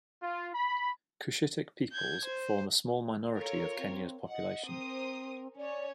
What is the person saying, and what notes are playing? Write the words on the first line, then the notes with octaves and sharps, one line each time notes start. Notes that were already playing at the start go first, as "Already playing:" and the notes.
Cushitic peoples form a small minority of Kenya's population.
F4
B5
G6 G#6
C5
F4 A4 A#4 C#5
C4
D#5 F#5
C4 A#4 C5 D#6
C#4 C#5 D5